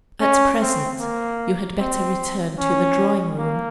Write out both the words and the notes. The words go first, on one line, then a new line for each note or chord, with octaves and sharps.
At present, you had better return to the drawing-room.'
C#4
C4
A#3
C4
C#4
A#3